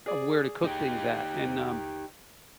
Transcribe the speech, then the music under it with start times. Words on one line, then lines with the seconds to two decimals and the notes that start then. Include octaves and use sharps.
of where to cook things at, and, um,
0.06 G#4 D5
0.64 D#4 G4